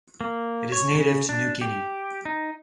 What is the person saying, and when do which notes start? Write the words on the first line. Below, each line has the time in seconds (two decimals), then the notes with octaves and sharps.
It is native to New Guinea.
0.21 A#3
0.72 C#5
0.95 C#3
1.29 D4
1.61 G4
2.25 D#4